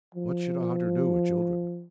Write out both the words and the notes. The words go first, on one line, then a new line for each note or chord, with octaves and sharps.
What should a hunter do with children?
F3